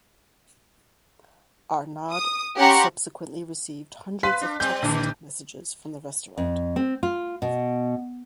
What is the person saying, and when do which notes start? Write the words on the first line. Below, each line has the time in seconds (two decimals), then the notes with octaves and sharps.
Arnaud subsequently received hundreds of text messages from the restaurant.
2.12 D#6
2.57 C#4 G4 F#5 A#5 C6 C#6
4.23 B4 F5 C6 B6
4.41 D4
4.60 G3 C4 G6
4.82 A#1 D3 D#3
6.38 F2
6.76 C4
7.03 F4
7.42 B2